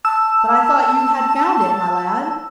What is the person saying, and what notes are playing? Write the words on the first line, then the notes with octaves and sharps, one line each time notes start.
"But I thought you had found it, my lad!"
A5 E6